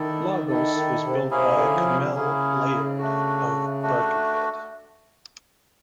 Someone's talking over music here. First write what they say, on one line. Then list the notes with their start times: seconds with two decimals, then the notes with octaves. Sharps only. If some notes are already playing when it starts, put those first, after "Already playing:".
"Lagos" was built by Cammell Laird of Birkenhead.
Already playing: D#3 E4 A4 D5
0.47 D#3 E4 A4 D5
0.76 D#3
1.03 C3
1.31 C3 A#3 C#4 E4 G#4
1.52 D3
1.74 F3
1.94 C3
2.15 C#3 A#3 C#4 E4 G#4
2.98 A3 D4 F#4
3.82 A3 D4 F#4